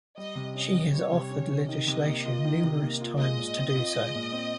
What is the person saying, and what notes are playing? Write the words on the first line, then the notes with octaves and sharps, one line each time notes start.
She has offered legislation numerous times to do so.
G3 D#5
C3
C#4 D#5
C3
G3 C#5
C3
C#4
C3
D#3 D#5
C3
A#3
F4
D#3
C3
A#3
F4
G#3 D#5
A#2
C4
F4
G#3
A#2
C4